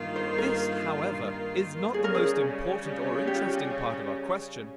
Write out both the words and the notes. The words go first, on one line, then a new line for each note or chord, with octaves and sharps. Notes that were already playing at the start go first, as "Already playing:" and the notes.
This, however, is not the most important or interesting part of our question.
Already playing: G2 D#3 A#3 F4
C5
A#4
C#3 G3 C#4 G#4
A#4
G#4
G4
F4
G4